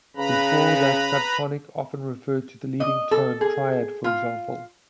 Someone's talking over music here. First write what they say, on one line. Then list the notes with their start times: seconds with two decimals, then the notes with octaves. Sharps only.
Before that subtonic often referred to the leading tone triad, for example.
0.16 C#3 B4 A#5 B5
2.80 D#5
3.11 A4
3.41 G#4
4.04 F4